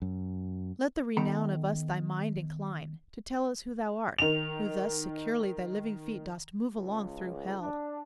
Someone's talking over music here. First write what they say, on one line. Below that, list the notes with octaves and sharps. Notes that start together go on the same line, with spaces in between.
Let the renown of us thy mind incline To tell us who thou art, who thus securely Thy living feet dost move along through Hell.
F#2
D#3 B3 A4 G5 A#5 B5
D#3 F7
C#2
D4